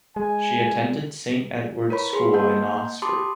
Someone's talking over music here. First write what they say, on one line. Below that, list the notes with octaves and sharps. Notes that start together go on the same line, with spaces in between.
She attended Saint Edward's School in Oxford.
G#3 G#5
E4 A#4 B4 C#5 B5
G#4 B4 B5 C6
A#3 D#5 F#5 A5 C6 G6
G4 A5 B5 C6 D6 D#6